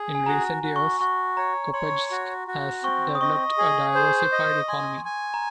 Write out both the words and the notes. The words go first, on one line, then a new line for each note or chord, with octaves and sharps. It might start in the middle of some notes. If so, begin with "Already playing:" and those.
In recent years Kopejsk has developed a diversified economy.
Already playing: G#4
G#5
F#4 A#5
F#4
C#6
F#4 C#6
C#5 A#5
C#5 C6
F#4
F#4
C4 C#6
D#6
D#5 C#6
G#4
C5
D#5
G#5 C6
G#5
A#5